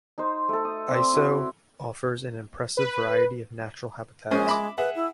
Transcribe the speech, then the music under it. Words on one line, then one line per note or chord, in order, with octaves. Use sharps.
Aiseau offers an impressive variety of natural habitats.
D#4 C5
A3 A4
D#6
C4 D5 C6
E4 F#4
B4
A#1 G#3 C#4 C5
E5 B5 D6
G#4 B4 E5 F#5
E4